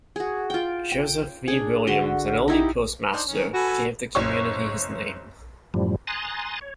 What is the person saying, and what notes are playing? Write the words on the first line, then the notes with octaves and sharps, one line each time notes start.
Joseph V. Williams, an early postmaster, gave the community his name.
F#4 G#4
F4 G5
G5
D4 G#4
D3 F#4 C6
D#4 E4 G4
D4 D#4 C5
D#3 C#4
F#4 A4 B4 G#5
F#1 C#5 C#6
F#2 A2 F3 G3
G#5 A#5 C6 D#6 F#6 A6
C#5